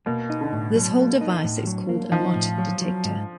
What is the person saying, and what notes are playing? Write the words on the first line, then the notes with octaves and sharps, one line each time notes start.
This whole device is called a Mott-detector.
B2 A#3
D#4
D3
A2
F#3
A#3
D#4
A2
F#3
A#3
F3 D#4
A2
F#3
F#3
G#2